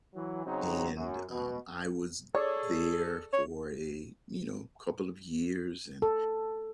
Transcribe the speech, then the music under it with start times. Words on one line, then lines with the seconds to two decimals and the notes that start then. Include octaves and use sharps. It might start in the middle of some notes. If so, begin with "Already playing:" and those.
and, um, I was there for a, you know, couple of years, and,
0.15 E3 F#3
0.45 C#3 F#3 C4 D#4
0.95 F#2
1.29 B2
2.35 G#4 A4 C#5 D5
3.33 C#5
6.02 A4